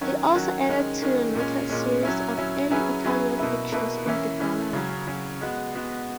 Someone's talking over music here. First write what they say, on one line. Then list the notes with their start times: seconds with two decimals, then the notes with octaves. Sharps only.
He also added to the noted series of Early Italian pictures in the gallery.
0.01 D#3 F#3 C#4 F#4
0.35 D#3 F#3 C#4 F#4
0.69 D#3 G#3 C#4
1.02 D#3 G#3 C#4
1.35 A#2 G#3 C#4
1.70 A#2 G#3 C#4
2.03 F#3 C#4 E4
2.37 F#3 C#4 E4
2.71 F#3 C#4 E4 G#4 B4
3.04 F#3 C#4 E4 G#4 B4
3.38 B2 A#3 E4 B4
3.72 B2 A#3 E4 B4
4.06 E3 A#3 C#4 E4
4.39 E3 A#3 C#4 E4
4.73 C#3 F#3 C#4
5.07 C#3 F#3 C#4
5.41 G#3 B3 F#4
5.75 G#3 B3 F#4